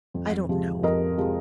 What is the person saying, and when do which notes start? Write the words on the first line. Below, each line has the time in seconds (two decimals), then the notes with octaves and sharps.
I don't know.
0.14 F2
0.49 C3 F3 G#3
0.83 F2 A#4 D#5
1.18 C3 F3 G#3